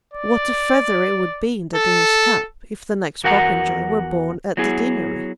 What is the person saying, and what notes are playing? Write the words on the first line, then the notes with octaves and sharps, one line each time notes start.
What a feather it would be in the Dean's cap if the next Popenjoy were born at the deanery.
D5
A4
E2 F#4 A#4 F#5 G#5 A#5
F#3 B3 E4 G#4